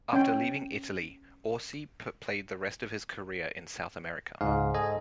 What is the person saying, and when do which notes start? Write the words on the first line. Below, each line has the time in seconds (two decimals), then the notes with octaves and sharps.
After leaving Italy, Orsi played the rest of his career in South America.
0.13 C#4 G5
4.41 C#2 G#2 F5
4.74 A4 D#5 G#5